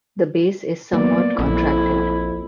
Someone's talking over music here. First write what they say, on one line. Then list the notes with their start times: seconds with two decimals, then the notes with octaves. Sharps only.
The base is somewhat contracted.
0.93 F#3 A#3 B3 D5
1.39 A#1 F2 E4